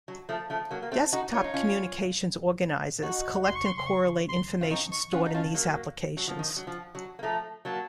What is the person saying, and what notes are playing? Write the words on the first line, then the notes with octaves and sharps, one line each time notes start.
Desktop communications organizers collect and correlate information stored in these applications.
F#3
F3 A3
F3 A3
F#3 A#3
A#3
A3 C4
D#4 F#4
F4 C#5
D#4
C#4 F4
D#4 F#4
C6
C#6
C6
C6
C#6
C6
F4
C4 D#4 C#6
C#6
C#4 F4 F#5
D#4
C#4 F4 A5
F#3 A#3
F#3
F3
D#3
F#3
F3
F#3
A#3
F3 A3 A#5
F#3 A#3 A5